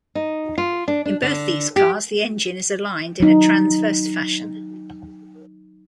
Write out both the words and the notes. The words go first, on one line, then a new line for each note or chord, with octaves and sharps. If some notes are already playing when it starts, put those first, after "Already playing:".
In both these cars the engine is aligned in a transverse fashion.
D#4
F4
D4
D4
D3
G4
F#3 D#4